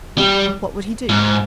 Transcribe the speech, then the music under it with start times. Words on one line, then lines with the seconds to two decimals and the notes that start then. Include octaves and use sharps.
What would he do?
0.18 G3
1.09 G#2